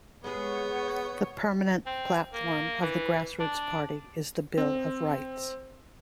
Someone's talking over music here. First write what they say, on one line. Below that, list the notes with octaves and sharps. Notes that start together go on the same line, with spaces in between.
The permanent platform of the Grassroots Party is the Bill of Rights.
G#3 B3 G#4 C#5 F#5
C4
A#3
E3
D4
C4